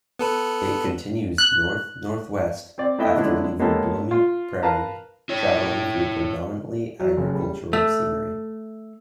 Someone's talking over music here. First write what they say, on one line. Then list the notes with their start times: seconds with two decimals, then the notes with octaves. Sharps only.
It continues north-northwest after leaving Blooming Prairie, traveling through predominantly agricultural scenery.
0.19 B3 A4 B4
1.38 F#6
2.78 C4 D5
2.99 A3 B3 E4 D#5 E5 G5
3.15 F#2 D3 G#3 B3 D4 E4
3.59 G#3 A#3 B3 C#4 G4 A4
4.11 F4
4.63 A#4 B4 F5 A5 A#5
5.29 E4 C#5
7.00 F#3
7.17 F#1
7.35 G3
7.73 A3